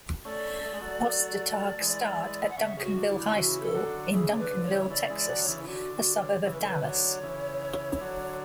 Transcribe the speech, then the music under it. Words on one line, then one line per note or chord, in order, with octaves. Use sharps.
Ostertag starred at Duncanville High School in Duncanville, Texas, a suburb of Dallas.
A3 C#4 D5
A3
G#3
F#3 A3
E3 G#3
F#5
C#3 E5
C#3 G#4
F#4
D3
E4
D3
C#3 E3 F#4
A4
D3 F#3
C#3 E3 G#4
D3 C#5
B4
D3
C#5
C#3 E3
C#3 E3 D5
E3 G#3
D5
D3 F#3
C#5
C#3 E3
E4
D3 F#4
F#4
B4
C#5
C#3 E3 C#5
B4
A4
B4
D3 F#3 C#5
C#3 E3
E3
D3 F#3